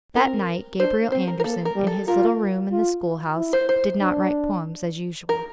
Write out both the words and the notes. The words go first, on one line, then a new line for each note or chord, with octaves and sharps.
That night Gabriel Andersen in his little room in the schoolhouse did not write poems as usual.
C4 A#4
D4 C5
C4 C5
A#4
A#4
A#3 A4
A#4
G3
A4
F4 A#4
F4
E4
C5
C5
D4
A#4